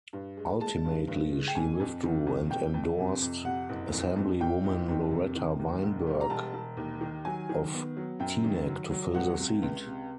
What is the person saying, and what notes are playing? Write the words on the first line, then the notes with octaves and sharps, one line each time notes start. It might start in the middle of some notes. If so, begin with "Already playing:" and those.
Ultimately, she withdrew and endorsed Assemblywoman Loretta Weinberg of Teaneck to fill the seat.
G2
G#3
G#3 A5
G2
G2
G#3
G5
F2 G#5
F2
D#3
F2
F2 G5
F2
C3
F2
C3 F#5
F#1
F2
F2
F2 G5
F#1
F2
C3
D#3
D#2
E1
G3
A#5
E1 A5
E1
D#2
D#3
F#3 G#5
D#3
B3
F#3
F#2 G5
D#3
F#3
F#3
C#2 F#5
C3
C#2
C3